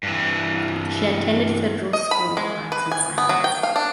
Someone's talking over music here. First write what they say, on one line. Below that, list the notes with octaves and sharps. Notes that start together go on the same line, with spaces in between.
She attended Federal School of Arts and Science.
G2 E3
D#5
B5
G#3
B4
G#5
B3
F#3
G5
F5
D4